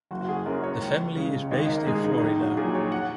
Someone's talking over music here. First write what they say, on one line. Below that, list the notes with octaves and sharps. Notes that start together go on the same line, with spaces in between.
The family is based in Florida.
F#1 F#4
F#4
G#4
F#2 F#3 A#4
C#5
C#2
C#3 G#3
G#1 D#5
A#4
G#2 G#3 G#4
D#4
A#1 D#4
F#4
A#2 F#3 G#4
C#5
F#5